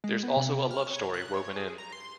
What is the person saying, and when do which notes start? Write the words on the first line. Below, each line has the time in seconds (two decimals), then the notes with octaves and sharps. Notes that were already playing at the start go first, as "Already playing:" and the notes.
There's also a love story woven in.
0.04 G#3
0.23 B3
0.36 C3
0.71 F6
0.90 C#5
1.14 F#6
1.34 C#5
1.56 G#4
1.78 A#5
1.92 C6